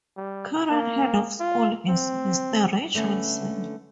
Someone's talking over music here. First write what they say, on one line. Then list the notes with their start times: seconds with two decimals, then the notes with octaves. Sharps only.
Current Head of School is Mr. Rich Wilson.
0.17 G3
0.71 A#3
1.40 F4
1.88 C4
2.94 D3 A3 B3 C#4